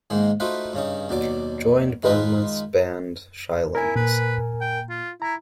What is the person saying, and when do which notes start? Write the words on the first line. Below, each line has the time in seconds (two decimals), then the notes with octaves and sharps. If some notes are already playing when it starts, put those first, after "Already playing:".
Joined Bournemouth's band Shy Limbs.
0.10 G#2 D#3 G#3 A#3
0.40 A3 D#4 F4 F#4 B4 C5
0.73 G2 C#3 C#4 D#4
1.09 D#2 B2 F#3 D5 D6
2.03 D#3 G#3 D#4 F4 A#4 B4
3.75 E4 A#4 G#5
3.96 A#2 B4
4.61 G5
4.89 F4
5.22 E4 A#5